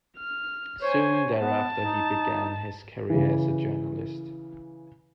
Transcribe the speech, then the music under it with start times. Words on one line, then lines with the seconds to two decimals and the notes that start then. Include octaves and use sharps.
Soon thereafter, he began his career as a journalist.
0.17 F6
0.82 C5 C#5 G#5
1.40 B3 A5
1.81 D#4
3.10 C#3 E3